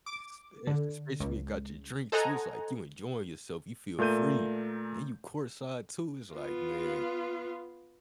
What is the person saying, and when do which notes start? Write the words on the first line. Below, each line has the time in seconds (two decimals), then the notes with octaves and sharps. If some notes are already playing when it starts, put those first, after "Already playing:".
Sp especially when you got your drink too, it's, like, you enjoying yourself, you feel free, and you courtside too, it's, like, "Man"
0.06 D6
0.67 D3
1.20 C#2
2.12 A4 C5 D#5 F#5 G#5 A#5
3.98 A#2 A3 A#4 G6 D#7
6.34 B3 F4